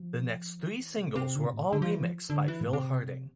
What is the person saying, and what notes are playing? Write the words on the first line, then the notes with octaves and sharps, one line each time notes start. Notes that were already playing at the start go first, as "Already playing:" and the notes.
The next three singles were all remixed by Phil Harding.
Already playing: F3
E3
C3
C3
D3
C3
A2
A#2
D3
F3
E3
F3
D3
E3
A2
C3